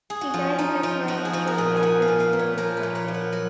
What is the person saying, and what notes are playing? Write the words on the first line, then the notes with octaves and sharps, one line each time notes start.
He died of nephritis shortly after his thirtieth birthday.
G#4
F#4
F3 F4
F3 D#4
F3 F4
F3 F#4
G#4
F3 F#4
A#4
A#2 G#4
G#5
F3 F#5
F5
A#2
F5
A#2
C#5
F3 A#4
B4
A#2
C#5
F3
F#5
F#3 F#5